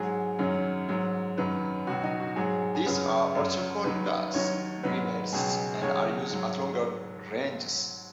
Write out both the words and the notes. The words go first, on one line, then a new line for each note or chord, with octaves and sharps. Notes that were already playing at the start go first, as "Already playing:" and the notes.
These are also called gas grenades, and are used at longer ranges.
Already playing: G#2 F#3 G#4
F#2 D#3 F#3
G#2 F#3
F#2 D#3 F#3 B4
C#2 B2 F#3 F#4
D#4
F#4
G#2 F#3 G#4
G#4
F#2 C#3 F#3 B4
F#2 F#3
D#2 D#3 F#3 B4
D#2 D#3 F#3 C#5
G#2 D#3 F#3 B4
C#2 B2 F#3 G#4
D#2 C#3 F#3 C#5
G#2 F#3